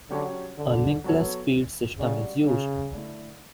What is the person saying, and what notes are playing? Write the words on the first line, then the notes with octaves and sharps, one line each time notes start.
A linkless feed system is used.
D3 F#3 C#4 G4 C#5
D3
F#3 B3 F#4 A4 C#5
C#3 G3 D4 F#4
C#3
D3 A3 E4